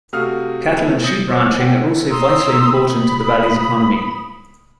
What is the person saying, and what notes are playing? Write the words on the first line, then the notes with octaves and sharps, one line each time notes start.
Cattle and sheep ranching are also vitally important to the valley's economy.
C3 A3 F#4 F5 D#6 F6
A3 B3 E4 G#4 A4
D#6 G6 A6 A#6 C#7
C5 C#5 D6
F#5 G5
A#5 C6 D#6 E6
B5 D#6